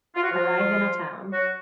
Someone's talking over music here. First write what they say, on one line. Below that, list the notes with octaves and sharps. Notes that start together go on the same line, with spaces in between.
Arrive in a town.
F4
F#4
F3 F4
F#3 F#4